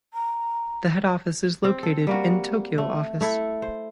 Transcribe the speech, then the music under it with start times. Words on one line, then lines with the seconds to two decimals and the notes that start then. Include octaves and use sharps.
The head office is located in Tokyo Office.
0.13 A#5
1.64 C4
1.83 A4
2.07 G3 A#3 F#4
2.78 A3
3.21 A3 E4 A4
3.62 C5